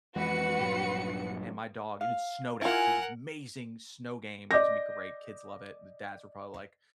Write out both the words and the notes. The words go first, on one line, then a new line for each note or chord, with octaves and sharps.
and my dog and it snowed out, so it was amazing snow game. It was gonna be great, kids love it. The dads were probably like
F2 E3 G#3 F#4 B4 C#7
A#1 G2 F#3
F5
E4 F4 A#4 F#5 G#5
D5 D#5 D6 G6 A#6